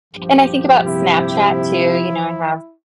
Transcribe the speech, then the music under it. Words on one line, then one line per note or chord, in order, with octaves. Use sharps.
and I think about Snapchat, too, you know, I have,
A#1 G2 F3 G4
C3 E4